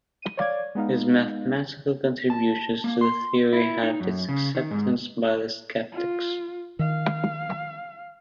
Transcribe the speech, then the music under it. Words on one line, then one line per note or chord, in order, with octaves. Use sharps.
His mathematical contributions to the theory helped its acceptance by the skeptics.
D#7
C#5 D5 F5 D6 G#6
G#3 B3 D#4 F5
A5
A#3
C6
E4
D#4
F#2
C#3
D#3
G#2
F4
D#3 F5